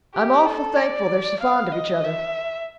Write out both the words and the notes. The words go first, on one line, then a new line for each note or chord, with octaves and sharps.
I'm awful thankful they're so fond of each other.
G4
A4
D5
F5
D#5
E5